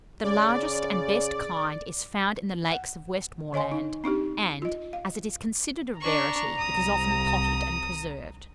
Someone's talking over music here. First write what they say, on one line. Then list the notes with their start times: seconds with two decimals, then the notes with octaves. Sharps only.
The largest and best kind is found in the lakes of Westmoreland, and, as it is considered a rarity, it is often potted and preserved.
0.24 C#3 D5
2.72 F#5
3.53 D3 C#5 D#5 G#5 C6
3.72 D#4
4.04 C4 D4 D#4 G4
4.62 F4 D#5
4.93 F5
6.01 D4 A#5 C#6
6.59 C2 D#6